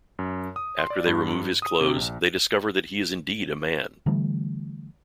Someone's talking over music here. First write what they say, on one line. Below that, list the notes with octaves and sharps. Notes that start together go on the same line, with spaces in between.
After they remove his clothes, they discover that he is indeed a man.
F#2
D#6
C6
D5
G2
D#6
C3
A#1
D3 E3 G3 A3